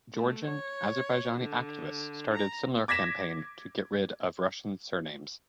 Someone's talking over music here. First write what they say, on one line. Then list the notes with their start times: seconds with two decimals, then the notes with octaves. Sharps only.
Georgian Azerbaijani activists started similar campaign to get rid of russian surnames.
0.15 A3
0.45 C#5
1.38 D3
2.34 A#5
2.88 D6 G#6 A#6 B6 E7